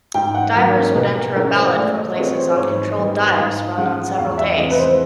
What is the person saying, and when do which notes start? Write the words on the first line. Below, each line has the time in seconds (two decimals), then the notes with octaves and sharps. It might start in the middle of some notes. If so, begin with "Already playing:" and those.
Divers would enter a ballot for places on controlled dives run on several days.
0.14 G#2 G5
0.34 F#5
0.55 D#3 F#3 A#3 F5
0.95 B2 B4
1.16 A#4
1.36 G#3 C#4 E4 A#4
1.55 C5
1.76 A3 D5
1.96 D#5
2.16 C4 F4 G#4 B4 C#5
2.37 C5
2.56 G#2 C#5
2.97 D#3 G3 B3 D#5
3.37 G#2 F5
3.78 F3 G#3 C#4 F#5
4.18 E2 F5
4.38 E5
4.58 C3 E3 G#3 D#5
4.71 B4
4.79 C5